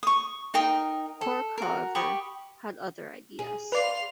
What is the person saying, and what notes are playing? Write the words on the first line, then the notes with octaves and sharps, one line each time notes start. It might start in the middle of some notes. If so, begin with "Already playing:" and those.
Cork, however, had other ideas.
C#6 D#6
D#4 A#4 G5 D#6
A4
F#4 A#4
G4 B5 C#6 D#6
G#4
B4 D5 F5 C6 F7